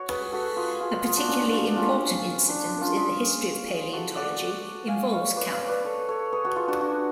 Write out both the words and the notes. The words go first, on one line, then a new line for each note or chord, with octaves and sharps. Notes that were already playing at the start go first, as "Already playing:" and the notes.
A particularly important incident in the history of paleontology involves Kaup.
Already playing: F#4 C#5
G#4 B4
F#4 A4
F4 G#4
F4 G#4
F4 G#4
D4 F#4
C#4 F4
D4
D4 F#4
C#4 F4
D4
D4
C#4 F4
F4 G#4
F#4 A4
D5 F#5
F5 G#5
C#5 F5
B4 D5
C#5 F5
B4 D5
A4 C#5
A4 C#5
G#4 B4
F#4 A4
F4 G#4
D4 F#4
D4 F#4